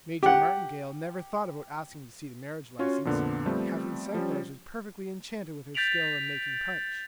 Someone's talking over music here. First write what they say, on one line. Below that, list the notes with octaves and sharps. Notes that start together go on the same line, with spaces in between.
Major Martingale never thought about asking to see the marriage licence, Captain Cinqbars was perfectly enchanted with her skill in making punch.
G4 F#5
C#4 F4 F#4 C#5
F2 A#2 D3 B3 D4
F3 G3 A3 B3 C4
F3 G3 C#4
G6 A6 B6 D7 F7 F#7